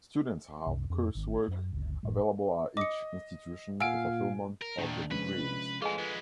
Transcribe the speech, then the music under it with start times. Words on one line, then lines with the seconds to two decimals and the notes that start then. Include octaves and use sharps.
Students have coursework available at each institution for fulfillment of the degrees.
0.67 C2 F#2 C3
0.90 F2 D4
1.15 G#1 D#3
1.48 F#2
1.72 G1 D2 C#3
2.03 F#1 F2 A2 G#3
2.77 D#5 D6 C#7
3.80 A#2 F5 F#5 G#5 E6 D7
4.62 A#4
4.78 G2 A#2 D#3 A3 D4
5.11 C3 F3 G#3 C#4 B4
5.82 A2 F4 G#4 A4 B4 D#5 G#5
5.99 G#3 B3 F4